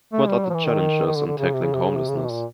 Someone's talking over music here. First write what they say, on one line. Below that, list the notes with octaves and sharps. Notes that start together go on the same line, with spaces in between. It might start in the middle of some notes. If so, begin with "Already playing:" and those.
What are the challenges in tackling homelessness?
A3
G3
F#3
F3
E3
D#3
D#3
D3
D3
C#3
C3
C#3
C3
C#3
C3
C#3
C3
B2
A#2